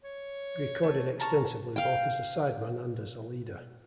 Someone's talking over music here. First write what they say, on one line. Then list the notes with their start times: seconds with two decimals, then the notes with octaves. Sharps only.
He recorded extensively both as a sideman and as a leader.
0.04 C#5
0.83 A3
1.20 A#4 A5 C#6
1.76 F5 G5